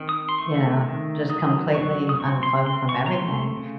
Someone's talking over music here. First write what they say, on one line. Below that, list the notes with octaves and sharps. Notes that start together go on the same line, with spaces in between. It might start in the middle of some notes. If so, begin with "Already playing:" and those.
you know, just completely unplug from everything,
Already playing: D#3 C4
D#6
C6
A3 C#6
D#3
F#3 D#6
F#3 C#6
D#6
C4 C#6
C6
C4 C6
C#6
A#5
A3 C6
C#3